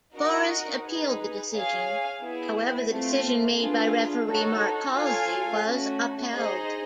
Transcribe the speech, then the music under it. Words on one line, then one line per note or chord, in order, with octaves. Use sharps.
Forest appealed the decision, however the decision made by referee Mark Halsey was upheld.
D#4 F#4 A#4 D#5 F#5
D#4 G#4 B4
G#4 C#5 F5 G#5
B3 E4 G#4
A3 C4 F4
D4 F4 G#4 B4
D#4 F#4 A4 C#5
F4 A4 C#5 F5 G#5
A3 C#4 F#4
D#4 G#4 C5 D#5